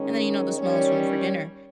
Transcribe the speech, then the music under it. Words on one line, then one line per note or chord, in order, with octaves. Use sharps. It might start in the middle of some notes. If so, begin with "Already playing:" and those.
and then, you know, the smallest one for dinner,
Already playing: D#3 G#3 C#4
C#5
D#3 G3 C#4 C#5
C#5